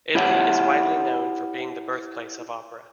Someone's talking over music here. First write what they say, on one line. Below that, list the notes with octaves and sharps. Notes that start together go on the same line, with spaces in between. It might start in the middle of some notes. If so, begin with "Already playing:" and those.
Italy is widely known for being the birthplace of opera.
E4 G4 C#5 E5 F#5